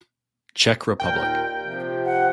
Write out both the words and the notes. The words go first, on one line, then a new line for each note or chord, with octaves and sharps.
Czech Republic.
D#2 A#2 A#4 G5
C3 F3
F#5